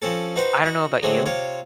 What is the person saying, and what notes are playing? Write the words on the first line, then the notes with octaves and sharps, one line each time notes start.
I don't know about you,
F3 C4 C#4 A4
D#4 F#4 B4 C5 G5
D#4 F#4
D3 F#3 G#3 A3 C4
C3 F4 C#5